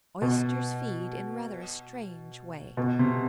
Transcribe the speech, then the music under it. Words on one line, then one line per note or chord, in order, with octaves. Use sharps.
Oysters feed in rather a strange way.
B2
B2
C3